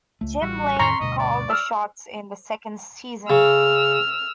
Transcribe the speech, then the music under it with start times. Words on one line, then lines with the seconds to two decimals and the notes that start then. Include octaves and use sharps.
Jim Lane called the shots in the second season.
0.21 C#2 A3
0.42 A1 G3 F#4
0.79 F2 A2 D#3 A#5 C6 C#6 B6
1.00 D2 G2 B2 D#5
1.18 D5
1.49 E6 F6
3.30 C#3 E6 F6